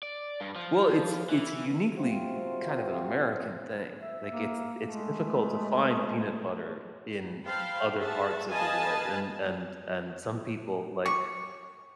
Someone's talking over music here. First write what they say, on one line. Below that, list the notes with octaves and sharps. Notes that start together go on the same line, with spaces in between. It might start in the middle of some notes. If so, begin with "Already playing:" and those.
Well, it’s it’s uniquely kind of an American thing. Like, it’s it’s difficult to find peanut butter in other parts of the world, and and and some people, like,
D5
G2
F3
E3
C3 C4 F4 F#4
E5
A#3
G#3 A3
C5 F5 G5 A5 B5
G#4 E5 F#5 A5
B4 D#5 F5 G#5 A5 B5
C#6